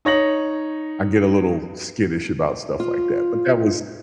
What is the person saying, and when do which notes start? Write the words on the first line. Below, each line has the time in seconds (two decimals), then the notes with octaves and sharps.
I get a little skittish about stuff like that, but that was
0.05 D#4 C#5 A#6 F#7
2.80 F4